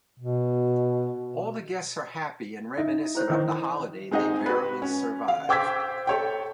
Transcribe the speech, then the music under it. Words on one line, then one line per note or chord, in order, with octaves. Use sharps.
All the guests are happy and reminisce about the holiday they barely survived.
B2
D#4 E5
E4 C5 C#5
D#3 E3
G#3 C4 D#4 G#4 D#5
F#4 B4
C#4
F5
C5 G5 D6 E6 G#6 B6
A4 C#5 G5